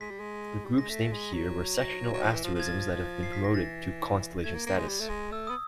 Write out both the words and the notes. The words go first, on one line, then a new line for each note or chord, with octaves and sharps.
The groups named here were 'sectional asterisms' that have been promoted to constellation status.
G#3 B6
G3
G#3
G3
G#3 A#6
A3 B6
G#3
F#3
A#6
F#3
F3
E3
F3
F3 G#6
A6
C7
B6
A#6
D#3
E3 A6
A3 G#6
A#3
A#3
G#3
G3
A3
G#3
A3 E6
B3 D#6